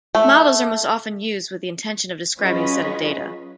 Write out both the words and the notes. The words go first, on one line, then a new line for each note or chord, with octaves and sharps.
Models are most often used with the intention of describing a set of data.
A3
F#3 C#4 F4 G#4 B4 D#5